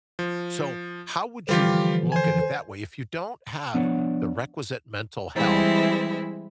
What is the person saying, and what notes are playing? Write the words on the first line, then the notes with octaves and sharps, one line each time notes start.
So, how would you look at it that way? If you don't have the requisite mental health
F3
D3 E3 F3 G3 F4 G4
C5 G#5
F3 B3 D4 C#5 D5 F#5
E3 G3 G#3 C4 E4